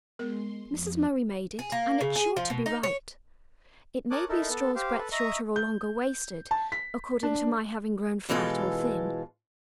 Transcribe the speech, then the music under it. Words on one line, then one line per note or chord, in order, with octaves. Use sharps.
Mrs. Murray made it, and it's sure to be right; it may be a straw's breadth shorter or longer-waisted, according to my having grown fat or thin.
G#3 B3 A#4 C6
F2 F3
G#4
A#3
C#3
G#4
F3
B2
D#4
C#5
A#4 C#5 A5 D6 D#6 F#6
D#4 E4 A4 A#4
B3 A4
G4 C5 F5
A4 B4
D#5 E5 A#5 C#6 D#6
G6
A5
B6
D4
B2 E3 G#3 F4 A4